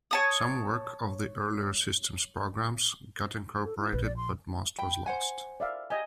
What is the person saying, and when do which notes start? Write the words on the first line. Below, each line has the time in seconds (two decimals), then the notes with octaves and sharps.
Some work of the earlier systems programs got incorporated but most was lost.
0.11 C#5 A5 D#6
3.64 A4
3.78 E4
3.92 A#1 B4
4.04 D5
4.16 C6
4.79 G5 B5
5.06 C5 F#5 G#5
5.60 D5 E5 F5
5.90 G4 D#5 G#5